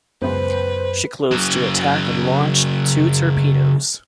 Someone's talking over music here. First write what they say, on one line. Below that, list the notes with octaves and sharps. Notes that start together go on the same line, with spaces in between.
She closed to attack and launched two torpedoes.
C#2 F#2 B3 B4 C5
C#3 F#3